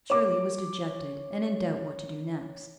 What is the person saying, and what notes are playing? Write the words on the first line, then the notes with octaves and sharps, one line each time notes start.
Shirley was dejected and in doubt what to do next.
C#5 D6